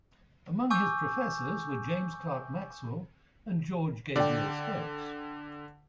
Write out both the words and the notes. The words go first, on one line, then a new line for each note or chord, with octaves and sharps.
Among his professors were James Clerk Maxwell and George Gabriel Stokes.
G#5 C#6 D6 E6 G6
D3 D5 G5